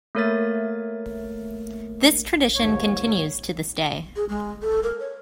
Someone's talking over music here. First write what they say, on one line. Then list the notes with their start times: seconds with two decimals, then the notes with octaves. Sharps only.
This tradition continues to this day.
0.15 A3 A#3 A#4 C#5 E5 A6
2.55 D#2 G#2 C#5
4.16 G#4
4.29 G#3
4.62 A4
4.83 A#4
5.00 C#5